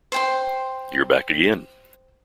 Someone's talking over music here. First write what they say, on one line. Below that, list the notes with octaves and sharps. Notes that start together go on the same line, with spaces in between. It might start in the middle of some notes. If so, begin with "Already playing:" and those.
You're back again.
C5 G5 C6